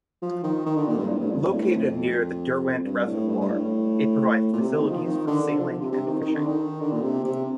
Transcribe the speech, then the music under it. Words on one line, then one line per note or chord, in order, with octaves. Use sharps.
Located near the Derwent Reservoir, it provides facilities for sailing and fishing.
F3
D#3
D#3
D3
A#2
G2
A2
G2
F2
G2
A2
F2
G2
A2
G2
G2
A2
A#2
C3
D#3
F3
D#3
D3
D3
F3
C3
C3
D#3
D#3
D3
D#3
D3
A#2
C3
C3